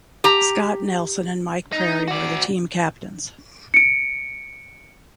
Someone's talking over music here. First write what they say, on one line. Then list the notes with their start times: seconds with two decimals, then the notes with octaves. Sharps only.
Scott Nelson and Mike Prairie were the team captains.
0.24 G4 A#5
1.73 D#4
2.08 F#4 D5
3.74 C#7 D7